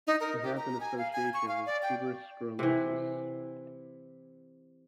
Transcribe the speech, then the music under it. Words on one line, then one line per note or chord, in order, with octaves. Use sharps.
It has an association with tuberous sclerosis.
D#4
A#4
G4
A#5
G#5
F5
G#5
C#6
F5
D5
G5
C3 E3